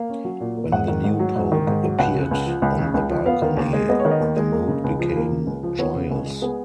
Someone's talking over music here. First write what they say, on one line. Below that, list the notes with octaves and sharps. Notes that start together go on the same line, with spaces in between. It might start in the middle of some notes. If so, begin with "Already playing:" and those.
When the new pope appeared on the balcony, the mood became joyous.
Already playing: A#3 F5
C#4
F#3
A#2
A#3
G#2 F#5
D#3
G#2
F#3
G#2
D#3
G#2
F#3
C#2 F#5
C#3
C#2
F3
C#2
C#3
C#2
F3
B3 F5
D#3
D#2
G#3
B3 D#5
C#5
D#3
D#5
D#2
G#3
A#3
C#3
C#2
F3
A#3
C#3
C#2
F3
B3 C#5
C#3
C#2
G#3
B3 G#4